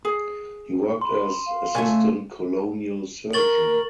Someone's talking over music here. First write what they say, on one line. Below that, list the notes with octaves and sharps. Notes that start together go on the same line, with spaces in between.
He worked as Assistant Colonial Surgeon.
G#4
B5 C6
F5
C#3 A3 C#5 E5 G#5
A#4 C#6 A6 F#7